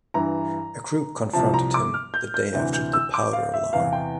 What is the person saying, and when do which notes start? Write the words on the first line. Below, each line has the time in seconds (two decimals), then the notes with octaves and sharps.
A group confronted him the day after the Powder Alarm.
0.14 G2 E3 A#5
1.33 C2 C3 F3 A5
1.54 A#5
1.74 D6
1.94 F6
2.14 G6
2.34 G6
2.53 D2 C3 E3
2.73 G6
2.93 E6
3.14 D6
3.33 F5
3.54 E5
3.73 E2 C3 E3 F5
3.93 G5